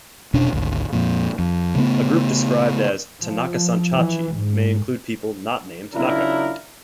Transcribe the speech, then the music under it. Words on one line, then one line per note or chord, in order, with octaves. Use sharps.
A group described as "Tanaka-san-tachi" may include people not named Tanaka.
F1 B2 C#4 D4
G#1 D2
F2 A#2
F2
C#3 A3 B3
F3
E3
G#2
C#3 F#3 D4 E4 F4 A#4